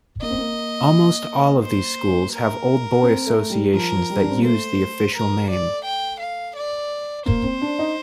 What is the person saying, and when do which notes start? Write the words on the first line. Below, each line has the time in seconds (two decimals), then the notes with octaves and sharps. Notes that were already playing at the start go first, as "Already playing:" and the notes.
Almost all of these schools have old boy associations that use the official name.
0.22 A#3 D#5
0.30 C4
0.38 A#3
1.63 C5
2.33 A#4
3.03 C4
3.27 A3
3.50 G3
3.74 F3 A#4
4.10 G3
4.23 D4
4.30 C4
4.37 A#3
4.44 A3 C5
5.15 A#4
5.50 D5
5.85 G5
6.20 F5
6.56 D5
7.26 A#3 C5
7.44 C4
7.62 D4
7.79 D#4